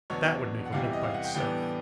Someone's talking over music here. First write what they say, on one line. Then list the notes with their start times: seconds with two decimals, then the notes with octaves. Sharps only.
That would make a book by itself.
0.10 E2 B2 F#3 B3 D4 C#5
0.66 F#5
0.72 E2 C3 E3 G3 F5
0.84 E5
0.93 D#5
1.03 F5
1.14 F#5
1.24 G5
1.35 A2 E3 G3 B3 D4 G5